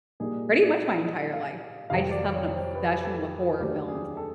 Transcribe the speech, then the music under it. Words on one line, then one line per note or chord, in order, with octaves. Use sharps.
pretty much my entire life. I just have an obsession with horror films,
A#2 G3 A#3 D#4 G#4
D5
D#5
F5
F2 C3 D#3 F#3 F5
D5
C#5
C5
B4
A4
D#2 D#3 F#3 A3 D4 G4
G#4
A4